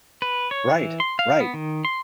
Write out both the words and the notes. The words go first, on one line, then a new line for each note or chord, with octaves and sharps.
Right, right.
B4
C#5
E3
C6
F5
B3
D#3
C6